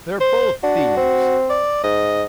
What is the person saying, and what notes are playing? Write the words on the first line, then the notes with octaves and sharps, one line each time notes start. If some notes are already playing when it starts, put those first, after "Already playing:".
"They're both thieves!"
C5
D4 F#4
C4
D5
G#2 D#5